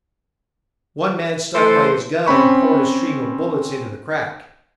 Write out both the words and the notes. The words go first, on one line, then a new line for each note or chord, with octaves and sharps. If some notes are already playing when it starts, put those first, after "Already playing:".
One man stuck by his gun and poured a stream of bullets into the crack.
E3 A3 A4 C5
C4 C#4 B5 C#6